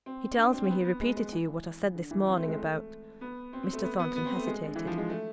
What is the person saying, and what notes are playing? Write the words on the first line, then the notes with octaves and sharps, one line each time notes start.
'He tells me, he repeated to you, what I said this morning about--' Mr. Thornton hesitated.
C4
D4
C4
C4
B3
B3
G#3
G#3
E3
D3
E3
C4
A3
G#3
A3
B3
C4
C4
A3
B3
B3
B3
C4
A3
G#3
D3
E3
F3
G#3
A3